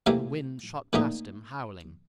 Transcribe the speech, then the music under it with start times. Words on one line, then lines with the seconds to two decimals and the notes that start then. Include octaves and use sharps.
The wind shot past him howling.
0.06 C3 E3 A3 A#3 E4
0.93 A#2 D3 E3 A3 D#4